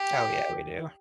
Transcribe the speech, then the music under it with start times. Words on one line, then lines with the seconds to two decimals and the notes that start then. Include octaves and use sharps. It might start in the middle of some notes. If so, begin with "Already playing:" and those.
Oh, yeah, we do.
Already playing: G4